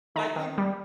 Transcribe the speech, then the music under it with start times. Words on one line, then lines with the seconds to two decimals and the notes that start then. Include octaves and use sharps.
Like, he
0.16 D#3 A#5
0.36 D#3
0.58 G3